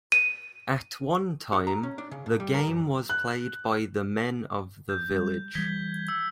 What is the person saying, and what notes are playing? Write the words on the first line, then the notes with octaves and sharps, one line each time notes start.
At one time the game was played by the men of the village.
D#7
F#4
A#5
C#4
D4
C#3
A2
G3
A#4
F#2
F#6
G6
G3
E3 G3 G#6 B6 G7
E6